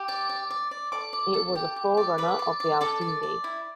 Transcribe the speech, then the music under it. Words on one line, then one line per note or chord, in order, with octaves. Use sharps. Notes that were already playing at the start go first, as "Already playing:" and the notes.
It was a forerunner of the Althingi.
Already playing: G4
D5
D5
D5
D5
A4 D5 D6
D5
A4
G4
G4
D5
B4 D5 B5
D5
D5
A4 D5 A5
D5
D5
E4